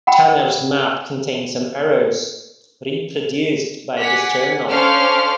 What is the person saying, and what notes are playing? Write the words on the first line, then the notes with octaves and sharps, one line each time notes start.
Tanner's map contained some errors, reproduced by Disturnell.
F#5 G5 B5
D5 F#5 G#5 B6
C#4 D4 A4 C5 F5 F6